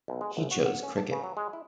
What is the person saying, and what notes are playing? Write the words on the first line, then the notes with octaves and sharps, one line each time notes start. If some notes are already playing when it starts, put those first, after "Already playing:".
He chose cricket.
B1
G#3
A#1
F#4
F#5
C#4
A5
C#3
F#3
G#3
E4